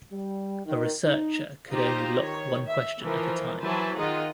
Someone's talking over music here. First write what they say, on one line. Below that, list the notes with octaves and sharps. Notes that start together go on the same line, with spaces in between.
A Researcher could only lock one question at a time.
G3
D#3
D#4
D#4 F4 G4 C5 A#5
D#3 C#5
E5
E3 F3 A#4
E3 F#3 B4 C5 G#5 A5
D#3 F4 G#4 D#5 F#5 A#5